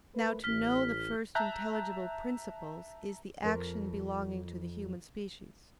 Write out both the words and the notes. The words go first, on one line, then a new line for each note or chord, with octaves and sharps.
Now to know the first intelligible principles is the action belonging to the human species.
A3 A#4 B4
A1 F6 B6
E5 A5 A#5 F#6 G6
F2 A#4